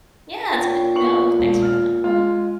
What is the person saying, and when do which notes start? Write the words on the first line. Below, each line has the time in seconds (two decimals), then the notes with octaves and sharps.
Yeah. It's good to know. Thanks for that. Yeah.
0.53 A#2 C#5 G5
0.95 B3 C#6 F#7
1.39 E1
1.62 F6
2.04 G#3 F4